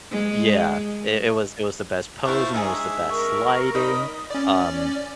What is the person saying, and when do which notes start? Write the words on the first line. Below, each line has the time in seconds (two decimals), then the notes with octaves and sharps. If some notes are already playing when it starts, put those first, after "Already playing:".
Yeah. It it was it was the best posing, it was the best lighting. Um,
0.12 G#3
2.25 A3 B3 E4 C5 F5 C#6
2.54 G#3 D4 D#4 G4 G#4 E5
3.10 A#4 C#6
3.75 D#4 D5 D#5 B5 D#6
4.31 C#4 D5